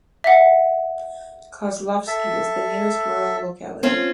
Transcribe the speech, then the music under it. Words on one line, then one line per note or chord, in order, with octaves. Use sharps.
Kozlovsky is the nearest rural locality.
E5 F#5
A4 E5
C4 C#4 F4